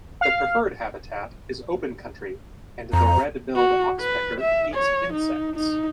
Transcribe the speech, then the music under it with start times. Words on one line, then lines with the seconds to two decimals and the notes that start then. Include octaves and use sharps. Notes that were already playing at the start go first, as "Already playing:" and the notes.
The preferred habitat is open country, and the red-billed oxpecker eats insects.
0.21 F5
2.93 F2 A#5
3.56 F#4
4.01 B4
4.40 E5
4.74 C#5
5.13 D#4
5.55 D#4